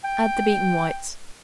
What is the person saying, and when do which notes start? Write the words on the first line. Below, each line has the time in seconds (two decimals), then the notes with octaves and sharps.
Add the beaten whites.
0.04 G5